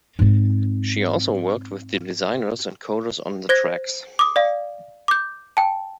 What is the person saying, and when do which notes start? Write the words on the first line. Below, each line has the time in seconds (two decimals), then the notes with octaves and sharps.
She also worked with the designers and coders on the tracks.
0.19 G#2 C4
3.49 C5 G#6 A#6
4.19 D6 D#6
4.36 D5 F5
5.08 D6 G6
5.57 G5 A5